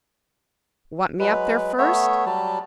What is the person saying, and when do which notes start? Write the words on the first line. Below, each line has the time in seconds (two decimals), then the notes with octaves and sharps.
"Want me up there first?"
1.19 F#3 G#3 B4
1.78 A3 B3 C#5 E5
2.26 F#3 G3 A5